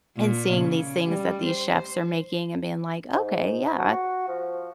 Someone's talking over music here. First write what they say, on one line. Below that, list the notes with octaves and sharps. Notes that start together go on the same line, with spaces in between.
and seeing these things that these chefs are making, and being like, "Okay. Yeah,
A#2
C#3
G3
C5
G#2
F#4
F3